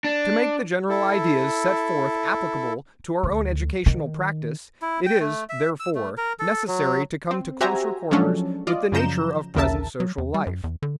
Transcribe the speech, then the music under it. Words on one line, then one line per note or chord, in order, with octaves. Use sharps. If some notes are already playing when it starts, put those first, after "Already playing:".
To make the general ideas set forth applicable to our own educational practice, it is, therefore, necessary to come to closer quarters with the nature of present social life.
D4
E4 A4
D2
D#3
E4
G5
A3
E5
E6
A3
A#4
A4
F#3
C4
F#4 G4 C5 E5 G#5 A#5
F3 F#3 G#3 C#4 D4 A4
F4 D5 D#5
F#2 C#3 F3 A#5 G6 E7
A#1 D#2 C#3 A#4 E5 A5
F#3
E2
G3
F#2
E2
D3